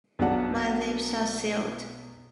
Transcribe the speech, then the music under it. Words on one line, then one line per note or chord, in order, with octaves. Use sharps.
My lips are sealed.
B1 B2 F#3 D4 F#5 A5